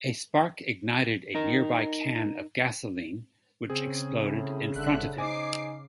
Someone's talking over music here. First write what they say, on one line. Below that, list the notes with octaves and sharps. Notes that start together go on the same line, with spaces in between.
A spark ignited a nearby can of gasoline, which exploded in front of him.
D#4 A#4
C#3 C4 G#4
A2
G1 D3 E5 F#6
D#4 C5 G#5 D6 C7